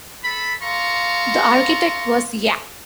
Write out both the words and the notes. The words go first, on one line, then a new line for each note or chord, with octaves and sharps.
The architect was Ya.
A4 B5
A4 F5 A#5 C6 C#6